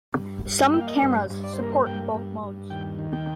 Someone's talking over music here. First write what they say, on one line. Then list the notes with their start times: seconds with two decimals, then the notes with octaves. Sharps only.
Some cameras support both modes.
0.17 G2
0.46 G2
0.74 A#3 G5
0.81 F5
0.87 D#5
0.95 D5
1.02 G2 C5
1.30 G2
1.44 D5
1.53 C5
1.58 A#3 A#4
1.72 C5
1.86 G2 G5
2.14 G2
2.43 G2
2.70 D#2 G5
2.99 D#3
3.13 G5